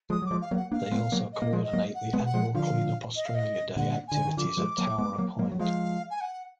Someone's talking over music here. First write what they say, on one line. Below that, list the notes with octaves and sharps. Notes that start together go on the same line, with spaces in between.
They also coordinate the annual Clean Up Australia Day activities at Towra Point.
F3 G#3 D#6
F#3
D6
F3 G#3
F5
F#3 A#3
F#5
A#3 D4 F5
G#3 B3
F#3 A#3
D#5
A#3
F3 G#3
D#5
F#3 A#3
F#5
G#3 B3
F#5
F3 G#3
D3 F3 F5
D#5
F5
D#5
A#2 D3 F#5
D3 G#5
D#3
D3 F3 D6
F3 G#3
F#3 A#3
G#3 B3
F#3 A#3
F#3 A#3
F#3
F3 G#3 F5
G#5
F#5